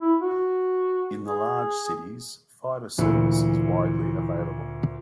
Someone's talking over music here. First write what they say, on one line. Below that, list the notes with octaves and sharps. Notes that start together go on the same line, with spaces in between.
In the large cities, fiber service is widely available.
E4
F#4
G#4
D2 A#2 E3